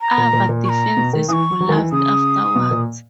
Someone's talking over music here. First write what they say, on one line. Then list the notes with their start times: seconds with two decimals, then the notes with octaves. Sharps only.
Ava defenses collapsed afterwards.
0.01 A#5
0.18 A#2
0.33 A#2
0.49 A#2
0.65 C#6
0.69 A#5
0.97 B2
1.13 D#3
1.29 E3 D#6
1.33 C#6
1.60 F#3
1.69 D#3
1.76 E3
1.92 C#3 D#6
2.55 B2
2.71 A#2